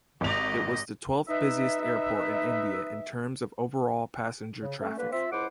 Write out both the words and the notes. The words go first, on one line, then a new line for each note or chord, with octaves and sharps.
It was the twelfth-busiest airport in India in terms of overall passenger traffic.
G#1 G4 D#5 F7
D#4 B4 E5
C#3
A3 C#4
D3 A#3 B4
C4 F4 E5
C#2 G#3 E4 C5 F#5 D6